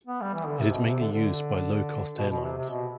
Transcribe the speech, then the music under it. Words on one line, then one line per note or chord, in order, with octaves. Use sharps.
It is mainly used by low-cost airlines.
B3
G3
E3
D3
C3
B2
C3
D3
D3
B2
B2
C3
C3
B2